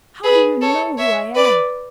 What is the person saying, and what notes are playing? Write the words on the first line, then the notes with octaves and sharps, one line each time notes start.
How do you know who I am?
G#4 B4
A4 C#5
C#5 E5
B4 D5